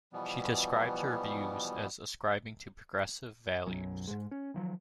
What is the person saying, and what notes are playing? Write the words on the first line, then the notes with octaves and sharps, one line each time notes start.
She describes her views as ascribing to progressive values.
B2 E3 F3 G3 B3
B1 F#2 F#3 C#4
G#2 G#3
C#4
D#3 F3 F#3